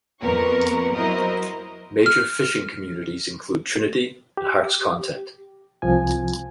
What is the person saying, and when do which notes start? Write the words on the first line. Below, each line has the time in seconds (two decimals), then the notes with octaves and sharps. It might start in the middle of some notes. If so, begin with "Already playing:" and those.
Major fishing communities include Trinity and Heart's Content.
0.23 F2 A#3 B3 A#4 B4 C#6
0.94 F#3 E4 F#4 A#4 C5 D#5
2.06 F6
4.37 G4
5.82 C2 F3 G#5